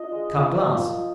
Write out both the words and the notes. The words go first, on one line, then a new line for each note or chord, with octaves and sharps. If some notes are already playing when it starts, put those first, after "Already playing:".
Cut glass.
Already playing: D4 F4 D#5
G#3
F4
A#3
F3
F3